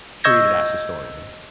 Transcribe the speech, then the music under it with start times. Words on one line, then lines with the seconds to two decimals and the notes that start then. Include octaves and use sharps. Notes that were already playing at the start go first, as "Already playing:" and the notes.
treated as historians.
0.24 D#5 C#6 E6 G6 G#6 A#6